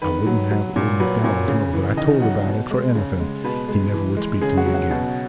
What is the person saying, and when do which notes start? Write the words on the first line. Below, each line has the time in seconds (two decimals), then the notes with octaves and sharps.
I wouldn't have old McDowells know that I told about it for anything--he never would speak to me again.
0.02 D#3 B4
0.27 F#3
0.50 F#3
0.76 A#2
1.00 F#3 B4
1.24 A#2
1.48 C#3
1.73 E3
1.97 D#3 D#5
2.21 F#3 F#5
2.46 B2
2.71 G#3
2.95 C#3
3.20 G#3
3.44 B2 B4
3.68 G#3
3.93 E3
4.17 G#3
4.41 C#3 G#4
4.57 F#4
4.66 F#3
4.74 F#4
4.90 B2